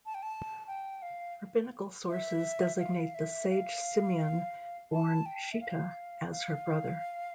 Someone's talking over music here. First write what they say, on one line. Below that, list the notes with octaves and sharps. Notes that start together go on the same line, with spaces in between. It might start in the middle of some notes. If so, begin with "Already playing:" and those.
Rabbinical sources designate the Sage Simeon born Shetah as her brother.
A5
G5
A5
G5
F5
E5
F5
E5
F5
A5
G5
E5
F5
F5